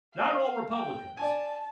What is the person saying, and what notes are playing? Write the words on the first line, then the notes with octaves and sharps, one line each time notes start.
not all Republicans,
F5
G5
D5 G#5 A5